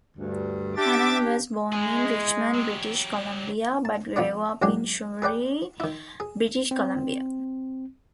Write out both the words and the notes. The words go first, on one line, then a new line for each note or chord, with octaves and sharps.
Hannan was born in Richmond, British Columbia, but grew up in Surrey, British Columbia.
D2 G2
D4 G4 E5 D6 A6
G#3 E4 G#4
F#3 G4
A5
F2 F3 B3 C4 D4
A1 F#3 G#3 D4 G4 G#5
G#4 B4 D5 G5
D#3 E4
G#4
C4